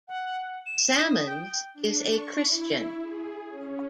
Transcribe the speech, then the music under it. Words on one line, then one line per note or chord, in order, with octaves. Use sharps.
Salmons is a Christian.
F#5
E7
D#6
G5
D4
C#6
E4
G#4
C#4